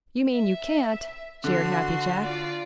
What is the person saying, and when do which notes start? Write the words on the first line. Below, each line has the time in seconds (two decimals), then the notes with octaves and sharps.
"You mean you can't!" jeered Happy Jack.
0.34 E5
1.44 D3 F#4 C6
2.23 F4 D5